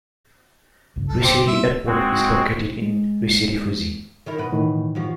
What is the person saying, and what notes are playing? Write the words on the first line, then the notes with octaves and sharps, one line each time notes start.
Rishiri Airport is located in Rishirifuji.
G#1 C#2 G2
G#1 F#2 F#3 A4
C4 G4
G3 E5 C6
G#3 C4 F#4
G#3
D#3 E4 A#4
B2 B4
A2 D#3 E3
F#2 F3 F#4